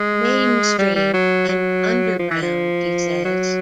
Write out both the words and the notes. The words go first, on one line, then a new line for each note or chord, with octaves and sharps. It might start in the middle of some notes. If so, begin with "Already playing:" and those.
Mainstream and Underground, he says.
Already playing: G#3
G3
G3
F#3
F#3
F3
E3
F3
F#3